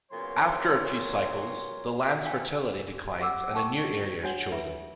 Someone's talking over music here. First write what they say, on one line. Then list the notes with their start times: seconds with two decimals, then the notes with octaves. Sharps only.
After a few cycles, the land's fertility declines and a new area is chosen.
0.12 A#2 C#3 F#3 B3 C#5 C6
2.25 F5 G5 G#5
3.20 G4 F#5 D6 E6
3.53 G5 A5 C#6
4.23 D4 F#4 C#5 F#5 G#5
4.52 F4 B4 E5